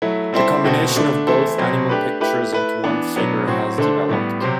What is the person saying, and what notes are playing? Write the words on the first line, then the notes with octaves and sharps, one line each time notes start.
The combination of both animal pictures into one figure has developed.
F#3 A3 E4
G3 C4 E4 A4 C5
B2 A3 C4 F#4 A4
D3 A3 D4
E3 A3 E4 A4 C5
B2 F#3 C4
A3 D4 G4 B4
A3 E4 G4 B4
A3 E4 B4
E3 B3 D4
B2 F#3 B3 D4
A2 F#3 C4 F#4
D3 A3 D4 A4 C5
A2 G3 B3
C3 F#3 C4 G4 C5